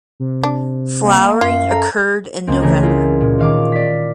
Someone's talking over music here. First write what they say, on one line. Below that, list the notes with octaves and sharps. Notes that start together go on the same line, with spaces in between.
Flowering occurred in November.
C3
D4
A#3
F#2 F4 F5
A4 A#5
C#2 A#3 C4
C#3 E3 A3 G#4 A#4
E4 F4 G#4 A#4
A#2
D#3 F5 D6
D5 B6